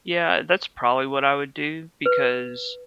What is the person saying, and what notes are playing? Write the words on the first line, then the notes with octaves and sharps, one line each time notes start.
Yeah, that's probably what I would do because,
B4